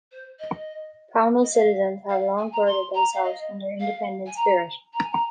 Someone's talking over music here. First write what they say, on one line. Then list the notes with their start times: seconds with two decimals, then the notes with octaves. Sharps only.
Pownal citizens have long prided themselves on their independent spirit.
0.12 C5
0.39 D#5
1.43 D#5
1.53 F5
2.09 F5
2.38 G#5
2.52 A#5
2.66 C6
2.94 A#5
3.13 F5
3.23 D#5
3.80 F5
4.26 G#5
4.36 A#5
4.93 A#5
5.02 G#5
5.11 A#5